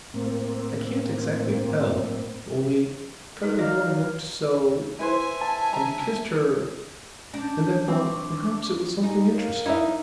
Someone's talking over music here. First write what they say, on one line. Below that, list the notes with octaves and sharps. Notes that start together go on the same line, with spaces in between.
"I can't exactly tell--only Cousin Helen looked so;--and you kissed her;--and I thought perhaps it was something interesting."
A2 A#3 C4
D#4 A#4
F#3 D5 D#5 F5
E4 B4 C5 E5 G#5
A5
A#5
C#4 D4 A5 G6
C4 C#6 D6
D#4 G4 G#5
A#4 C#5 F5
D#4 E4 E5